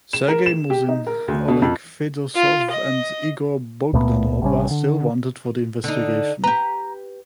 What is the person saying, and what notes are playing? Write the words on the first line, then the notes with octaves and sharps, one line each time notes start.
Sergey Musin, Oleg Fedosov and Igor Bogdanov are still wanted for the investigation.
E7
A#4
E7
G4
D#4
A#4
D2
B2
F2
F4
D#5
C#2 A#2 A3 B3
A1 C3 G3 C#4
D3
D3 D#4
G4 B4 A#5